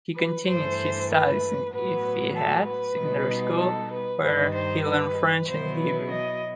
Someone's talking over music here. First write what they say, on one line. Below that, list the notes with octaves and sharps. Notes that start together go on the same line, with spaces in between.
He continued his studies in Ettehad secondary school, where he learned French and Hebrew.
B4
G2 E3 A3 C5
B4
A2 F#3 B3 B4
A4
B4
B2 G3 B3 D#4
A4
B4
G2 D#3 G3 D#4 B4
C5
B4
B2 F#3 B3 E4 C5
B4
D#5